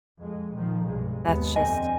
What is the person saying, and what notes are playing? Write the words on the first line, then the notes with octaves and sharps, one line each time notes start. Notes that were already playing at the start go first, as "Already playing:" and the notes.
that's just
F2 G#3
A#2 D#3 F3
B1 G2 G#3
D#2 G#3 B3
F2 D3 C4 D#5 G#5